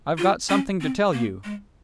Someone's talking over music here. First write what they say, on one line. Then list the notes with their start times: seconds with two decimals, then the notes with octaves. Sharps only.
"I've got something to tell you."
0.18 F4
0.49 C#4
0.81 C4
1.13 A#3
1.44 G#3